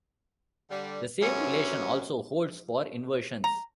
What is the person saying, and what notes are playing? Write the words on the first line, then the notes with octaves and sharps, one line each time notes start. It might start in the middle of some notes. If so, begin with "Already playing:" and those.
The same relation also holds for inversions.
D3 G3
F#2 C3 A3 B3 C#4
A#5